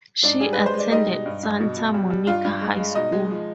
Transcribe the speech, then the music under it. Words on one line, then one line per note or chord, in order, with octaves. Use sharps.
She attended Santa Monica High School.
G#2 D4 D5
G3 G#4
G#3 B4
C5
G#3
D5
G3 D#4 D#5
B2
G2
G2
B2
B2
G3
G3
G2 F4 F5
G2
G#3
G#3
B2 D#4 D#5
G#3
F3